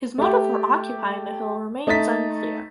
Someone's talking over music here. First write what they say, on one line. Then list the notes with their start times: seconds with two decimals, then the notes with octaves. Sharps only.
His motive for occupying the hill remains unclear.
0.18 A3 G4
1.87 A3 D#4 A4 A6 B6